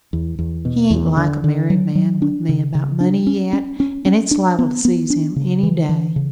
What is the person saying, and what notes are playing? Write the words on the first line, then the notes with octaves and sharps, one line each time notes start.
He ain't like a married man with me about money yet, an' it's liable to seize him any day.
E2
E2
B2
E2
D3
D3
F#3
F#3
D4
C#3
C#3
D4
C#4
C#4
C#4
C#4
D4
B3
B3
D4
C#3
E3
E3
C#3